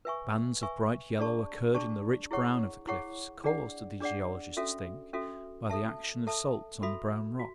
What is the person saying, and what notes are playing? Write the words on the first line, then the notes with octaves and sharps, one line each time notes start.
Bands of bright yellow occurred in the rich brown of the cliffs, caused, the geologists think, by the action of salts on the brown rock.
B4 E5 G#5 C#6
B4 E5 G#5 C#6
D4 G#4 D5 A5 C#6
D4 G#4 D5 A5 C#6
E4 G#4 C#5 F#5 C#6
E4 G#4 C#5 F#5 C#6
D4 G#4 D5 F#5
D4 G#4 D5 F#5
C#4 F#4 A4 E5
C#4 F#4 A4 E5
A4 E5 A5
A4 E5 A5
F#4 A4 E5 B5
F#4